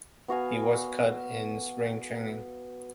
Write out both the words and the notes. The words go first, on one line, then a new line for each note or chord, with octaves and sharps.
He was cut in spring training.
B3 F#4 F5 G#5